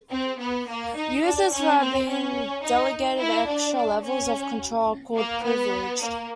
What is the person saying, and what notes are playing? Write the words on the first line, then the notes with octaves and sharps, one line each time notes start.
Users who have been delegated extra levels of control are called privileged.
C4
B3
A#3
D#4
D4
C#4
C4
C#4
D#4
E4
D4
D4
C#4
A#3
B3
A#3